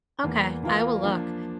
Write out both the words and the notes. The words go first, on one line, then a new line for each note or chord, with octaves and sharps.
Okay, I will look.
E2 E3 A#3
E3 A#3 F4 A#4 F5
F3 A#3 D4